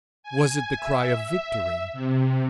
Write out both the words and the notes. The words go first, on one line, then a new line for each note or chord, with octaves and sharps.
Was it the cry of victory?
G#5
E5
C3